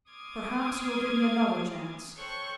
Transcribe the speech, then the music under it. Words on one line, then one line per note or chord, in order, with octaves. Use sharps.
"Perhaps you will give me another chance?"
C6 D6 D#6 F6 G#6 A6
A4 C5 C#5 G5 C#6 F#6